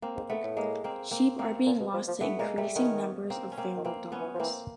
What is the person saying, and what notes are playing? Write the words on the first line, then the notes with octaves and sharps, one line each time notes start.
Sheep are being lost to increasing numbers of feral dogs.
A#3 C4
G#2
G#2 A3 B3
A2
G#3 A#3
A#3 C4
A#3 C4
A#3 C4
A#2
B2
F3
F3
E3 A3 B3
A#2 G#3 A#3
A#2 G3 A3
D#3 B3 C#4
A#3 C4
C#4
A#3 C4
D#3
E3 A#3 C4
B3 C#4
E3
F3
E3 A#3 C4